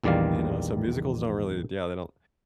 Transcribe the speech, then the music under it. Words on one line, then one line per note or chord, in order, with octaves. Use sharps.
You know, so musicals don't really yeah, they don't
A#1 E2 D#3 G3 D5 F5